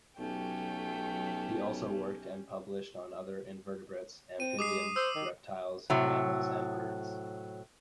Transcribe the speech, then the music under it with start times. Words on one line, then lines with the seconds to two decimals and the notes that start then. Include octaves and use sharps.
He also worked and published on other invertebrates, amphibians, reptiles, mammals and birds.
0.18 B1 F#3 A3 C#4 G4 G5
4.40 C4 D#7
4.59 G#3 D6 D#6 C7
4.96 C5 E6
5.15 D#3
5.90 A2 C3 F#3